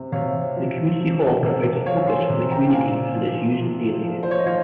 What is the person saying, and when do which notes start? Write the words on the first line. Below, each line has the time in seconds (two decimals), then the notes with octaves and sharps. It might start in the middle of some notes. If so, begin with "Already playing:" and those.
The community hall provides a focus for the community and is used daily.
Already playing: C3
0.12 C3 C#5 F5
0.56 F3
1.00 F3
1.43 C3
1.86 F3 C#5 F5
2.07 G#5 C6
2.30 C3
2.51 G5 A#5
2.72 A#2 F5 G#5
3.16 F3
3.60 F3
4.03 F3
4.23 C5
4.31 C#5
4.38 D#5
4.46 F3 C#5 F5